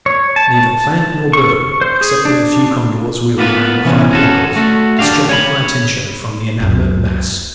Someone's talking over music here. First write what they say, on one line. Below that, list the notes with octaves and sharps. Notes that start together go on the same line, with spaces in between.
Neither plant nor bird, excepting a few condors wheeling around the higher pinnacles, distracted my attention from the inanimate mass.
C#5
A5
C#6
C5
G#4
D4
A#3 B3 F4 B4
C3 E3 B3 C#4
C#4 F#4 A4
A3 F#4
D#2 D4 G4 F5
C#5 G#5 B5
C#2 F#2